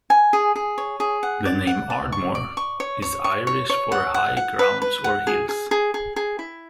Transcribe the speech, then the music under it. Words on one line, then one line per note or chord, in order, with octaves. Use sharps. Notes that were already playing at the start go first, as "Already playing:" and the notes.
The name "Ardmore" is Irish for high grounds or hills.
G#5
G#4
G#4
C#5
G#4
F#5
D5
F#5
D5
C#6
D5
C#6
C#5
C#5
C#6
C#5
C#5
F#5
F#5
F#5
B4
B4
F#5
G#4
G#4
G#4
G#4
G#4
E4